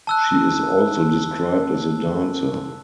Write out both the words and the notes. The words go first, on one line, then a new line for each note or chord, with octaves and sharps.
She is also described as a dancer.
A5 E6 F#6